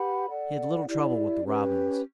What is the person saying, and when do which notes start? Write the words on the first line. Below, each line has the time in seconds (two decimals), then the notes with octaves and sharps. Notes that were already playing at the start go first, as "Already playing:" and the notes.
He had little trouble with the robins.
Already playing: G4 B4 F#5 B5
0.28 A4 D5 F#5
0.87 E4 G4 D5
1.44 C#4 G4 B4